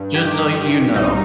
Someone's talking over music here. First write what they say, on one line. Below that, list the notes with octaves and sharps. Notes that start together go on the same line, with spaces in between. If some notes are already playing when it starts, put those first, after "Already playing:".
Just so you know."
Already playing: G2
D#3 G4
G2
C2 D#4